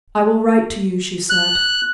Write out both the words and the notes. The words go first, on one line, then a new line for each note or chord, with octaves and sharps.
"I will write to you," she said.
F#6